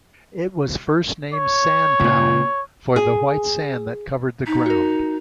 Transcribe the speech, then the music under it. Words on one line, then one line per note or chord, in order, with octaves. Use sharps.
It was first named Sandtown for the white sand that covered the ground.
C#5
C#2 A#2
G#4
D#4 B6
F#4 A#4